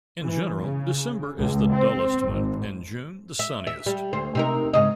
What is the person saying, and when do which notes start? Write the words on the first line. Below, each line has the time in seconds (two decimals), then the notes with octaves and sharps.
In general, December is the dullest month and June the sunniest.
0.24 E3
0.61 C#3
1.39 C#2
1.72 C4
2.30 G#1
3.39 E5
3.67 E5
3.86 G3
4.13 D2 C5
4.35 C3 D#4 A#4
4.73 G#2 C#3 D#5